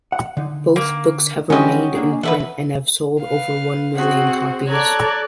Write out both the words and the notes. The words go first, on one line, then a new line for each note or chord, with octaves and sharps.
Both books have remained in print and have sold over one million copies.
F#5
D3 D#4
A#3
D#3 E3 G#3 C#4 F#4 G4 D#5
A#3 D4 G#4
E3 A4 B4 E5 F#5
B4 F5
C4 F#4 G#4 C5 F#5
A4 C#5 D5 A#5 F#6 G#6